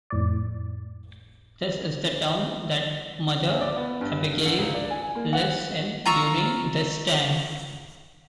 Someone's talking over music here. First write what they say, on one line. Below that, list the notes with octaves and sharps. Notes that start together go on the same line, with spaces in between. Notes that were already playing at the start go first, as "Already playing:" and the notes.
This is the town that Mother Abagail lives in during "The Stand".
F2 A2 D5
D2
D5
B3
G2
D3
C#2
D4
G#5
A#3
F#5
F4 A#5 C#6 E6